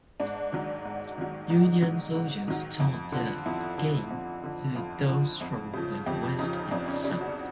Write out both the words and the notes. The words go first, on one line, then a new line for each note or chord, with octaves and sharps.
Union soldiers taught the game to those from the West and South.
G#2 D4
D#3 F#3
G#2
D#3 F#3
G#2 D#4
D#3 F#3
G#2
D#3 F#3
F2
D3 F3
F2 E4
D3 F3
F2
D3 F3
F2 F4
D3 F3
F2
C#3 F3
F2 G4
C#3 F3 D#4
F2 D4
C#4
C#3 F3 D4
F#4